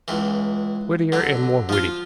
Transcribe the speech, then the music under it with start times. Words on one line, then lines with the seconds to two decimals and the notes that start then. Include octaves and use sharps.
'Wittier and more witty.
0.08 C#2 E3
1.12 D3 F#3
1.69 F3 F4